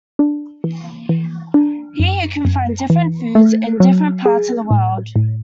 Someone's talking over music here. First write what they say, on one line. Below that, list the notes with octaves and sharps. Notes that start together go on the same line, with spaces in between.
Here you can find different foods in different parts of the world.
D4
E3
E3
D4
F#2
F#2
E3
A3
F#3
G#4
A2
A2